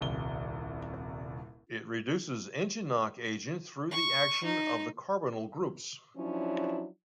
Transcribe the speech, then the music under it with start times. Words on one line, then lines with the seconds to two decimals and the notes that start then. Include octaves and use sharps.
It reduces engine knock agent through the action of the carbonyl groups.
0.01 D#1 C2 G7
3.91 C#6
4.44 D#4
6.16 F3 F#3 C#4 D4 E4